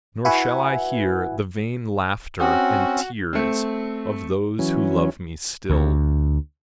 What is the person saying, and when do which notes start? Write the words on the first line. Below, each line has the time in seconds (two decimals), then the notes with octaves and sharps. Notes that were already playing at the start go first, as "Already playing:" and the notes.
Nor shall I hear the vain Laughter and tears of those who love me still.
0.25 E4 F#4 B4 E5 F#5 G#5
2.39 C4 C#4 F#4
3.33 A3 C4
4.59 E3 F#3 C#4
5.70 D2